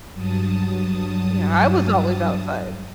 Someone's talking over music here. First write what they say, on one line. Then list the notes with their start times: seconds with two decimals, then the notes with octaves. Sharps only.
Yeah, I was always outside.
0.14 G2 F#3 A5 D#6